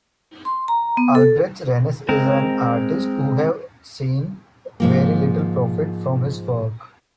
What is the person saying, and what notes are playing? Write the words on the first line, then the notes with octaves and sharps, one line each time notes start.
Albrecht Raines is an artist who has seen very little profit from his work.
C6
A#5
B3
A4
G#3 C4 A#4
G#2 F3 A#3